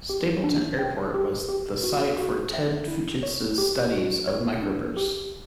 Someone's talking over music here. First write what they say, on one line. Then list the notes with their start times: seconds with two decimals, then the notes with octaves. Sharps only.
Stapleton Airport was the site for Ted Fujita's studies of microbursts.
0.09 G4
0.44 D4
0.79 G5
1.14 G4
1.49 G4
1.84 F#4
2.18 F#4
2.53 E5
2.88 E4
3.23 C#5
3.58 G4
3.93 F#4
4.28 C#5
4.62 D4
4.97 G4